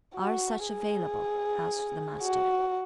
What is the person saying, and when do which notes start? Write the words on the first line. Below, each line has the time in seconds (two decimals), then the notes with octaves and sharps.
"Are such available?" asked the Master.
0.16 F#4
0.67 G#4
2.22 F#4